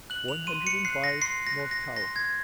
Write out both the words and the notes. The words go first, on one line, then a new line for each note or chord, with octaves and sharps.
"One Hundred and Five, North Tower."
F#6 F#7
F7
C6 D#7
C#7
F#6 C7
A#6
C6 C7
A#6
F#6
A#6
C6 A#6
G#6